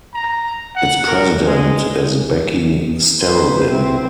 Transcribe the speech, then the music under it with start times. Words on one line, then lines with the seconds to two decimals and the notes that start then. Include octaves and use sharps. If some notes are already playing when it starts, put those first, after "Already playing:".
Its president is Becky Starobin.
0.14 A#5
0.76 F#5
1.06 A#4
1.45 G#3
3.20 B4 C5
3.70 C4 E4